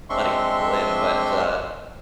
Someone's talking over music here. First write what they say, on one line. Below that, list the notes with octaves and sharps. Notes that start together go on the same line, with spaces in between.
letting people in, but, uh,
G#3 C4 D4 E5 C6 C#6